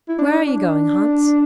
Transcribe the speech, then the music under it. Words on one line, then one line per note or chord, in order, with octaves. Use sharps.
'Where are you going, Hans?'
E4
D4
D4